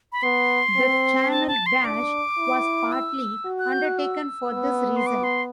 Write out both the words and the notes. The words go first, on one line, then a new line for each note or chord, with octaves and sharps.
The Channel Dash was partly undertaken for this reason.
B5
B3 C6
C4
A5
A5
C6
D4 D6
E4
E6
F#4
F#6
G6
F#6
E6
B3
C6
D6
C6